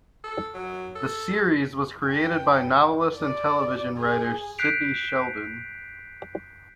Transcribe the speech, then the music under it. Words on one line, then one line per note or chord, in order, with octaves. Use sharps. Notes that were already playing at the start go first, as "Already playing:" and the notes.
The series was created by novelist and television writer Sidney Sheldon.
A4
F#3
A4
G5
D5
G#4
F#6 G6 B6 C7 D7 F7